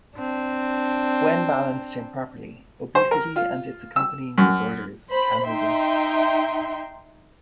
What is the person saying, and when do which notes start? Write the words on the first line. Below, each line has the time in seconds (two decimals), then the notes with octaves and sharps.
When balanced improperly, obesity and its accompanying disorders can result.
0.16 C4 D4
2.95 C5
3.11 A#4
3.36 F4
3.96 E6
4.38 F#2
5.11 C5 B5
5.46 D#4 E5 G5 C6